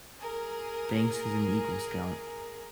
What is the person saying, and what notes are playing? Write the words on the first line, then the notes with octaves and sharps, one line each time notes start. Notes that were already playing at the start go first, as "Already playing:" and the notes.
Banks is an Eagle Scout.
G#4 A#4